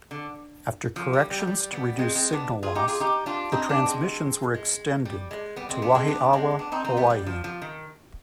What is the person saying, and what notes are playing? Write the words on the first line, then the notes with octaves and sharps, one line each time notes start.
After corrections to reduce signal loss, the transmissions were extended to Wahiawa, Hawaii.
D3
F3
G3
G3
G3
G3 B3
G#3 C4
G#3 C4
B3 D4
F4 G#4
D#4 G4
F4 G#4
D#4 G4
D4 F4
C4 D#4
B3 D4
G#3 C4
G#3
G3
G#3
G3 B3
G#3 C4
B3 D4
G#3 C4
B3 D4
G#3 C4
B3 D4
C4 D#4
C4 D#4
G3 B3
G3
F3
F3
D#3